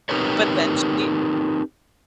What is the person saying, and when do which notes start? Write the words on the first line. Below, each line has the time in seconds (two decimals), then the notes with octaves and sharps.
but then she
0.09 C4 D#4 G4 A#4 B4 C#5